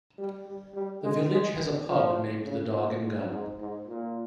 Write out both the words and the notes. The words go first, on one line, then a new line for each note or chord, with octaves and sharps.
The village has a pub named The Dog and Gun.
G3
G3
G3
G#3
G#3
F3
C#3
A#2
G#2
G#2
G#2
A#2